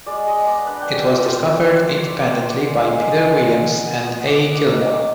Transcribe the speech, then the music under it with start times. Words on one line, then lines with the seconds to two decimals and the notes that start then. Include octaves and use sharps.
It was discovered independently by Peter Williams and A. Gilmore.
0.06 G#3 D5
0.27 G#3 D#5
0.47 B3 D5
0.67 D4 B4
0.82 G5
0.87 B3
0.97 D6
1.07 F4
1.12 D#6
1.27 F4 D6
1.47 G3
1.67 F4
1.87 F4 C6
2.02 G3 D6
2.17 D6
2.27 G3 C6
2.46 B3 D6
2.67 G#3
2.87 G#3
3.07 F4 D#6
3.27 F4
3.47 B3
3.67 B3
3.87 B3
4.07 B3
4.27 B3 D6
4.47 B3
4.66 D#4
4.87 B3 D6